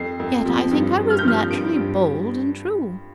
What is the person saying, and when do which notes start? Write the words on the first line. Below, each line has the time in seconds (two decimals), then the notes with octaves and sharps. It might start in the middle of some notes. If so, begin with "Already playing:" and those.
Yet I think I was naturally bold and true.
Already playing: F2 C7
0.20 F2
0.46 F3
0.71 G2
0.98 G2
1.10 F6
1.19 G6
1.23 F3 F6
1.51 G2 D7
1.76 G2